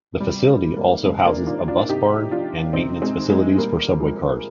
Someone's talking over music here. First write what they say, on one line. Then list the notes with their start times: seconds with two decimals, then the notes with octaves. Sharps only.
The facility also houses a bus barn and maintenance facilities for subway cars.
0.20 C3 G3
0.48 G#3
0.62 D#3
0.76 G3 A#3
1.05 C3 G#3 C4
1.26 A#3 D4
1.47 D#3 D4 F4
1.68 D4 F4
1.89 C3 D#4 G4
2.31 F3 D4 F4
2.73 C3 C4 D#4
3.02 G#3 C4
3.16 D#3
3.30 G#3 C4
3.58 A#2 G3 A#3
4.00 F3 G#3